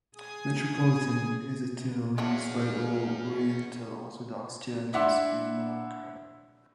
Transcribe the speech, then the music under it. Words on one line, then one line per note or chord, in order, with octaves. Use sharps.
Metropolitan is a titlle used by all oriental orthodox churches in Malankara.
G#4 G#5 D#6
E2 E3 F#3 C#4 D4 F5 F#5
D4 E4 E5 F#5 C6 D6